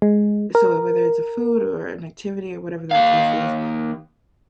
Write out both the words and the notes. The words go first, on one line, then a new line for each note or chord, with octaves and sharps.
So, wh whether it's a food or an activity or whatever that case is,
G#3
A#4
D#2 F5